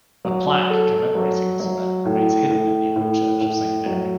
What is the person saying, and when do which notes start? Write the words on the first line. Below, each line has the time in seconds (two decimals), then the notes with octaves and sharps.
A plaque commemorating this event remains hidden in the old church of Saint Mary.
0.25 F#3
0.70 A4
1.15 F#3
1.60 F#3
2.05 A2
2.51 A2
2.96 A2
3.41 A2
3.86 F#3